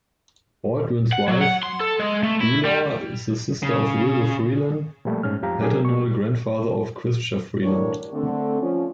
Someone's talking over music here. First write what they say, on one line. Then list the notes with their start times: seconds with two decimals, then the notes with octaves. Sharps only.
Baldwin's wife Beulah is the sister of Wilbur Freeland, paternal grandfather of Chrystia Freeland.
1.13 F#5
1.28 F#3
1.41 F#5
1.63 C6
1.80 A4
1.99 G#3
2.23 A3
2.41 E4
2.65 G3
3.63 C#3
5.05 A#2 F3 G3 A3
5.23 G#2 C#4 F6
5.42 F2 F3 G4 F5 A#5
5.60 F#3 D4 G4 G#4 A#4
5.85 A#2 C#6
7.63 D2 G2 E3 D4 A#4 C#5
8.12 D3 A3 C4
8.61 F3 C#4